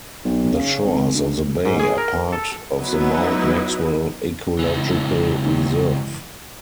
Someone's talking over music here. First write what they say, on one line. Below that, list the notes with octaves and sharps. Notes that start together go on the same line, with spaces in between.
The shores of the bay are part of the Mount Maxwell Ecological Reserve.
B1
C#3
G#1
D2
G#2
G#4
A#4
A4
F#3 B3 D#4 E4
C#2 E3